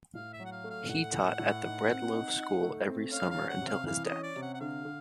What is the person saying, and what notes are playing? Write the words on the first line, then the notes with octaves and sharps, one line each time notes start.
He taught at the Breadloaf School every summer until his death.
A2 F5
E5
F#3
F#5
F5
A3
F5
A2 F#5
A2
A2
D#4
C4
D#4
D#4
A3
C4
C#4 F5
F5
C#4
F#5
C3
F5
E3 F5
D#5
C#4
D5
C3
F#5
F#5
D3 F5
D3